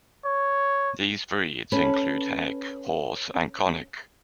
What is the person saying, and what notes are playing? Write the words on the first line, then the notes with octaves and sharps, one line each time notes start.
These breeds include the Heck horse and Konik.
C#5
C#4 A4 B4